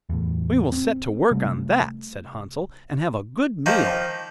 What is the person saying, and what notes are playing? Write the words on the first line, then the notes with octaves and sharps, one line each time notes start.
'We will set to work on that,' said Hansel, 'and have a good meal.
E2 A2
C4
C3 G3 A3
D#3 F3 A#3